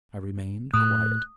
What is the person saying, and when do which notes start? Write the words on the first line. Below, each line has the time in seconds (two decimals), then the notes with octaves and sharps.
I remained quiet.
0.74 A2 D#6 F#6